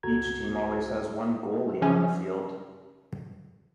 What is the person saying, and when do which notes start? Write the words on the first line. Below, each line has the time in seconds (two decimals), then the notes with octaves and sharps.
Each team always has one goalie on the field.
0.03 G1 C#2 F#4 A4 A#5 G#6
1.81 C#3 F3 C#4